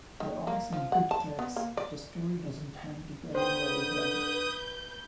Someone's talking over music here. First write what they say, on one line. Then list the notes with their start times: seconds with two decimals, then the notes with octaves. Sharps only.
There are some good gags, but the story doesn't hang together very well.
0.20 D#3
0.47 A#3
0.73 F3
0.92 F#5
1.11 A5
1.39 B3
1.56 A#3
1.77 D5
3.35 D3 B4 C5 G5 D#6 G6